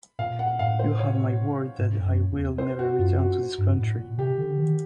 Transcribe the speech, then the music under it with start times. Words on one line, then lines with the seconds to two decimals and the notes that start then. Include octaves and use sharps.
You have my word that I will never return to this country.
0.19 A#2 F5
0.39 F#5
0.59 A2 F5
0.79 C5
0.99 C#5
1.79 G#2
1.99 F2
2.05 F#2
2.32 E2
2.58 C5
2.79 F#4
2.99 F#2 F4
3.19 F#4
3.58 G2
3.78 A2
3.98 A#2
4.18 C3 G4
4.38 D3
4.58 D#3